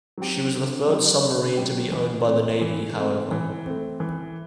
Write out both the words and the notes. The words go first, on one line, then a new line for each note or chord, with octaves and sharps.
She was the third submarine to be owned by the Navy, however.
F#3 C4 G4
D3
F#3 C4 G4
D3
F#3 C4 G4
E3
A3 C4
E3
A3 C4
E3
A3 C4
E3